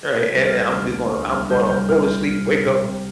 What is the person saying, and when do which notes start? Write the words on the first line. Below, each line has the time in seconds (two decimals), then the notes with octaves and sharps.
right? And and I'm just gonna, I'm gonna go to sleep, wake up,
0.17 C3 G6
0.36 C2
0.45 F6
0.55 C2
0.74 D2 F6
0.93 D3
1.12 D2
1.31 C2 F6
1.50 C2 G6
1.69 C2 G6
1.89 C3 F6
2.08 C2
2.26 C2
2.46 C3
2.65 C3
2.84 C3